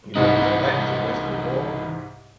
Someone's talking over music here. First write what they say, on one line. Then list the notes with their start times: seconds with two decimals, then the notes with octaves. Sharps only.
you know, "When your back is against the wall,
0.15 C2 G#2 E3 D4 D#4